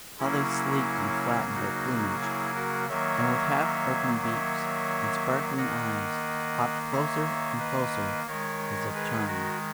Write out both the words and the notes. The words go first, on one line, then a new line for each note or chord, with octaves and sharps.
How they sleeked and flattened their plumage, and with half-open beaks and sparkling eyes, hopped closer and closer as if charmed.
C#3 F#3 A#3 C#4 E4
D#4 F#4
E4 G#4
F#4 A#4
D#3 F#3 A#3 C#5 E5
C#5 E5
D#3 A#3 D#5 F#5
C#5 E5
B4 D#5
D#3 G#3 A#4 C#5
G#4 B4
F#4 A#4